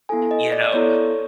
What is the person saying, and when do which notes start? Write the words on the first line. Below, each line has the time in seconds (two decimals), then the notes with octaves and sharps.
you know,
0.09 B3 E4 A4 G#5
0.31 D#5
0.52 D5
0.64 D5
0.73 B3 E4 A4 C#5